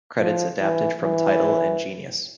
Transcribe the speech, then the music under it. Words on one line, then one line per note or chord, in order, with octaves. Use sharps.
Credits adapted from Tidal and Genius.
F3
E3
E3